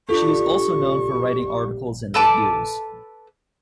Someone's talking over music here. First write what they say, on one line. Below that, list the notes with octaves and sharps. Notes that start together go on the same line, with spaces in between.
She is also known for writing articles and reviews.
D4 F4 G4 A4 C#6
A4 B4 A5 D6